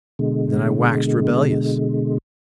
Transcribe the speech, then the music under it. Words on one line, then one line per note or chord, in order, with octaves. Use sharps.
Then I waxed rebellious.
B2 D3 G#3